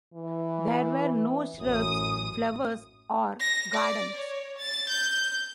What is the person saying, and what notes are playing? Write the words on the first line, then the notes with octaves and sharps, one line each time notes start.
There were no shrubs flowers or gardens.
E3
A1 F#2 D#6
A#6
D5
C#5
A6
G6